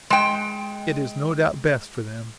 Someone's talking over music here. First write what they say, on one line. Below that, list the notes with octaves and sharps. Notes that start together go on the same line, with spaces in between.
It is no doubt best for them.
G#3 G5